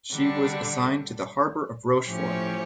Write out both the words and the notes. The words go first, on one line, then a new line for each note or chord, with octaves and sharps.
She was assigned to the harbour of Rochefort.
D3 G3 D4
A2 F3 C#4 G4 C#5